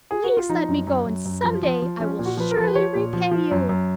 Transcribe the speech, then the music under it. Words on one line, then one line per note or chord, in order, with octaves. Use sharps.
"Please let me go and some day I will surely repay you."
G#4
F#4
F4
F3 D#4
F#2
F#2
F#2
F#2
F3
F3
F3
F3 C#4
A#2
F#4
F3 B4
A#4
F3
B4
F3 C#5
A#2
F3
F3
F#2
F#2